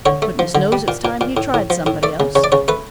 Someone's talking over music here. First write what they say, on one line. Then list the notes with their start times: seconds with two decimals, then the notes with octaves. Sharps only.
Goodness knows it's time he tried somebody else.
0.06 D3 C#5
0.22 A3
0.39 F3
0.55 D3
0.72 G3
0.88 A#2
1.05 A#2
1.21 A#2
1.37 A2
1.54 A2
1.70 F3
1.86 A2
2.03 A3 D5
2.20 C#3
2.35 C#3 C#5
2.44 D5
2.52 C#3 C#5
2.68 A3 B4